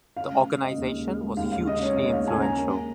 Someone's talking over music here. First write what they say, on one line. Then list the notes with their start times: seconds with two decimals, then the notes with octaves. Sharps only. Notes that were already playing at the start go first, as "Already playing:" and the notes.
The organization was hugely influential.
0.17 C#3 F5
0.31 G#3
0.47 G#3
0.62 C#3 D#5
0.77 D#2
0.91 G#3
1.07 G#3
1.21 G#3
1.37 D#2 F5
1.52 D#2 F5
1.67 C#3 D#5
1.82 G#3 C#5
1.97 D#2 D#5
2.12 D#2 F5
2.28 C#3 G#5
2.42 G#3 A#5
2.58 A#3